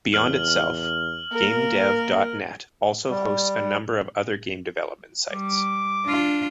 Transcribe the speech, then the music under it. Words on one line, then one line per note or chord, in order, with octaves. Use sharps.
Beyond itself, GameDev dot net also hosts a number of other game development sites.
E2 F6 F#7
A#3 A#4
G3
G3 D6
D4 F4